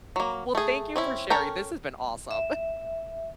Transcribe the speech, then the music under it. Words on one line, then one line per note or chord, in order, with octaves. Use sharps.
Well, thank you for sharing, this has been awesome.
F#3 A#3
A3 G#4
C4 C#4 E4
C#4 A4 A#4 G5
E5